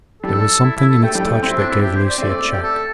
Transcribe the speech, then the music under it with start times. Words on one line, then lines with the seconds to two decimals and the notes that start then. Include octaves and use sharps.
There was something in its touch that gave Lucie a check.
0.23 G3 A4
0.63 E4
0.77 E4
0.89 A4
1.03 A3 G5
1.15 G3 G5
1.27 A3 G5
1.43 C4 E4
1.57 D4
1.70 E4
1.83 G4
1.96 C5
2.09 D5
2.18 C4
2.22 A3 D5
2.52 G4
2.63 A4